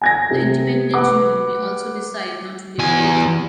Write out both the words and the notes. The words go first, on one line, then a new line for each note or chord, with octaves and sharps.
The independent jury may also decide not to give a rating.
G#5 G#6 A#6
C3
B4 F#5 D6
E2 G#5